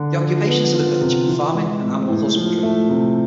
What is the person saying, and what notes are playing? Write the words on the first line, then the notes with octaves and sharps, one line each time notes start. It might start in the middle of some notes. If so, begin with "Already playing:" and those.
The occupations of the village are farming and animal husbandry.
Already playing: D3
F3
B3
F4
C3
E3
G#3
A2
A2
F3
A3
C3